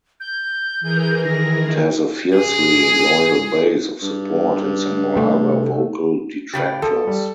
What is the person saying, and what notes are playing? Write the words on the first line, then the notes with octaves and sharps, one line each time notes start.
It has a fiercely loyal base of support and some rather vocal detractors.
G6
E3 G#4 A#4
D#3 A#6
G#4
G2
C3 A3
A2 C#3 G4
F3 A4
G3